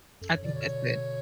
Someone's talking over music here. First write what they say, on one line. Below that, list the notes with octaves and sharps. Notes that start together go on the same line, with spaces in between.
I think that's good.
F#2 A4
C#5
B2 D3 D5
C#5